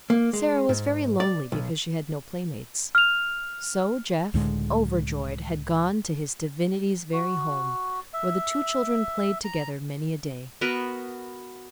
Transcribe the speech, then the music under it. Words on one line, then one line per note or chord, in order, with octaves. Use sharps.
Sara was very lonely because she had no playmates. So Jeff, overjoyed, had gone to his divinity's very home, where the two children played together many a day.
A#3
G#3
G#2
D5
B1
F6 F7
C#2 A2 D3 G#3
F#4
E5
A#5
B3 F#4 A#4 B4